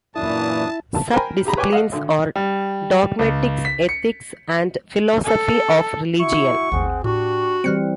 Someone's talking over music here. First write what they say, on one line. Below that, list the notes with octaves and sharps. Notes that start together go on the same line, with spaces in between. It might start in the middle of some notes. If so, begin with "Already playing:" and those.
Subdisciplines are dogmatics, ethics and philosophy of religion.
F#2 A#2 E3 D4 E4 A5 D#6
A5
A#4 C5 G5 G#5 A#5 B5
G4 G#4 A#5 B5
B4 C#5 G5 G#5 D6
D#5 F5 F#5
G#1 D3
G3
C#2
B6
C#7
A4
E4 F#4 E5 C#6
G#1 D#2 C4 G#4 F#5
A2 D4 F#4 G4 C#6
E3 G3 C4 F6 F#6 C#7